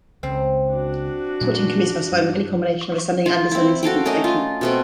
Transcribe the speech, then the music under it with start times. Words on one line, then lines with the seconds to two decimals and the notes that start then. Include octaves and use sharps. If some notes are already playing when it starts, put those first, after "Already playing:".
Sorting can be specified on any combination of ascending and descending sequence by key.
0.23 C#2 C4
0.70 D4 F#4
1.41 F#2 A#2 F#3 A3
2.12 G2
3.26 F4
3.51 C4 E4
3.83 F#4 A4 F5 G5
4.06 A3 C#4 A#4 D#5
4.24 F4
4.61 B2 A3 C4